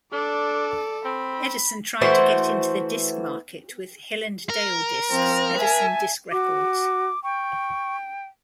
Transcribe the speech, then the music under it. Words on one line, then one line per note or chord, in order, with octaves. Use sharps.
Edison tried to get into the disc market with hill-and-dale discs, Edison Disc Records.
D4 A4 D5
C4 B5
E3 A3 F#4 C5
A#4
F3 C4 A#6
E5 G#5 A5
F#4 D6
G5 C#6